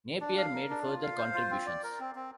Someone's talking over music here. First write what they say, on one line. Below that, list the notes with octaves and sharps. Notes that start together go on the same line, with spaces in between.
Napier made further contributions.
D4
F5
A#4
D4
F4
F5
C5
F4
C4
D5
A#4
C4
C4